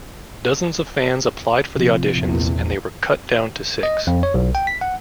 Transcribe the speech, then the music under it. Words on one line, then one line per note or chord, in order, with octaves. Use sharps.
Dozens of fans applied for the auditions and they were cut down to six.
C3 F3
A#1 E2
D#5
F2
C#5
B1
G5
B6
F#5